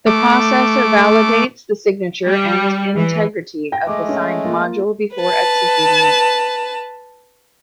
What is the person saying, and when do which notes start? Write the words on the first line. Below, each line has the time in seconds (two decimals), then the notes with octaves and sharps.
The processor validates the signature and integrity of the signed module before executing it.
0.06 A3 D6
2.27 G3
2.96 E3
3.72 G5 A#6
3.87 G#3 A3 D6
4.09 C#4
4.44 A#3 F4
5.17 B4 A5